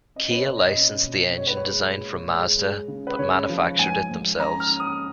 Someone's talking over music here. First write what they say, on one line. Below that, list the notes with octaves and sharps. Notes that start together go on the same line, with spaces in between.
Kia licensed the engine design from Mazda, but manufactured it themselves.
C#4 D#5
B4
C#5
B2
D#5
C#4
B2
G#3 C#5
B4
C#5
G#3
A#2
G#3
G#3
C#3
B4
C#3 C#5
F3
G#2 G#5
G#2
C#4 A#5
F6
C#4
D#6